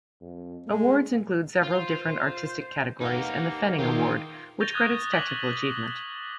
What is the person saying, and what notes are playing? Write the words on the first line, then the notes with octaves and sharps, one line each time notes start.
Awards include several different Artistic categories and the Fenning Award, which credits technical achievement.
F2
G#3 A3
F4 C5
A#3 D#4 G4 B4 F5 F#5
D#3 E4 F4 G4 G#4 C5
C#6 G6 A6 A#6 F7 G7
D#6 F#6 G#6 A6 D#7 G7
D6 D#6 F6 A#6 B6 F#7